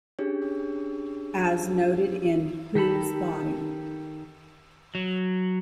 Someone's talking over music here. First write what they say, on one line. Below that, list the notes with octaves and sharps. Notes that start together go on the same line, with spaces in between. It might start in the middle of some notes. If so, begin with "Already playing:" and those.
As noted in Whose Body?
C#4 D4 G4 G#4 C#5
D#3 G4 A4 B5
F#3